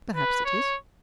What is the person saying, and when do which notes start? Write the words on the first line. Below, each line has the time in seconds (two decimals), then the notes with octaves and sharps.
'Perhaps it is.
0.16 B4
0.45 C#5